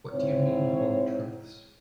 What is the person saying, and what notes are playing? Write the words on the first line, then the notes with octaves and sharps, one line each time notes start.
What do you mean, 'home truths'?
G#2 C4 E4 C#5